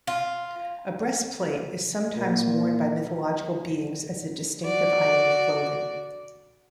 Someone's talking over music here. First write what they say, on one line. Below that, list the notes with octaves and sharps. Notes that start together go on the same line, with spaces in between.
A breastplate is sometimes worn by mythological beings as a distinctive item of clothing.
F4
A#2
F#4 D5